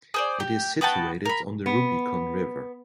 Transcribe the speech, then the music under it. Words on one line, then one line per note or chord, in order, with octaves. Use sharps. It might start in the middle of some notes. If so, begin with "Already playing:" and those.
It is situated on the Rubicon River.
G#4 C5 D5
G4
B3 F#4 G5 A5
A#4 B5
B3